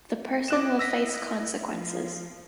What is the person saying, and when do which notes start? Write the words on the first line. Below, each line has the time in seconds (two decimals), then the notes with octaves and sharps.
The person will face consequences.
0.48 E4 D#5 D6 F#6 E7
0.79 E6 A#6 B6
1.71 F3